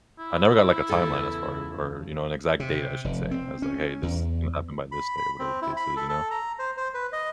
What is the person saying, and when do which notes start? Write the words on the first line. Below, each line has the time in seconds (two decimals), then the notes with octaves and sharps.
I never got, like, a timeline as far as or, you know, an exact date, I should say. I was like, Hey, this happened by this day," or whatever the case is, you know?
0.19 E4
0.89 E2 C#3 A4
2.60 C3
3.04 F1
3.31 C4
3.62 C#4
4.03 E2
4.92 B5
5.17 B5
5.39 C4
5.62 E4
5.77 B5
5.96 A4
6.09 A4
6.31 A#5
6.59 C5
6.77 C5
6.94 B4
7.13 D#5